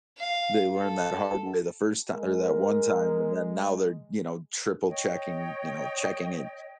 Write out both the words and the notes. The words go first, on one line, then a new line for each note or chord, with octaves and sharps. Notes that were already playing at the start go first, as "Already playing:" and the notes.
they learned that hard way the first ti or that one time and then now they're, you know, triple checking, you know, checking it
F5
A4
G#3 A#4
C#5 D#5 G5